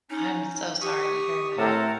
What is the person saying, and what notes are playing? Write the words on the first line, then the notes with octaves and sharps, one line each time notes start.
I'm so sorry to hear that.
C#4 D#4
G4 C#6 D#6
A2 C4 A4 A#4 F#5 A5 A#5